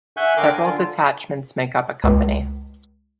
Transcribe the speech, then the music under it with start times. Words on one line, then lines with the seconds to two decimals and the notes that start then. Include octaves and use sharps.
Several detachments make up a company.
0.17 E5 F#5 G#5 C#6 F#6 G6
0.37 D3 A#4 F5 G5 D6
0.53 G#5
0.65 D3 F4
2.04 C#2